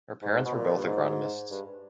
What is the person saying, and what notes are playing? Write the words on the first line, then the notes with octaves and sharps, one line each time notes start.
Her parents were both agronomists.
G#2
B2
A#2
G2
G#2
G2